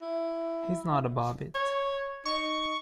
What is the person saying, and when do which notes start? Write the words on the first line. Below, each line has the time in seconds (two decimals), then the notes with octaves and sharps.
He's not above it.
0.02 E4
1.54 C#5
2.25 D#4 C#6